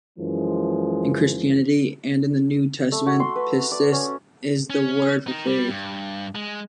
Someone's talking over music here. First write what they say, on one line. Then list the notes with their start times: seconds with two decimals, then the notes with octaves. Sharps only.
In Christianity and in the New Testament, Pistis is the word for "faith".
0.19 F#2 E3 F3 G#3
2.92 A3
3.07 F#4
3.20 C6
3.36 B4
3.71 D5
3.92 C#4
4.70 C#4
5.27 D#3 D#4
5.47 G3
5.69 G2
6.35 G#3